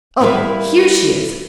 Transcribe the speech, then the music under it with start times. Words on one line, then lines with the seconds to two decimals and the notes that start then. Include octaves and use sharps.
Oh! here she is!
0.20 G3 E4 A#4 B4 F5